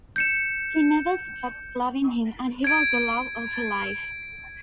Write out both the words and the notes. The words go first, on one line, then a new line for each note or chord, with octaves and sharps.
She never stopped loving him, and he was the 'love of her life'.
G6 C#7 E7
G#6 D7